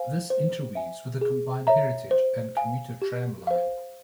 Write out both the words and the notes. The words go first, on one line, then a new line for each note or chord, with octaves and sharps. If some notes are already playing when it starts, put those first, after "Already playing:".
This interweaves with a combined heritage and commuter tramline.
Already playing: C5 F5 G#5
C5
E5 G#5
G#4
C#5 E5 A#5
C5
F5 G#5
G4
C5 F5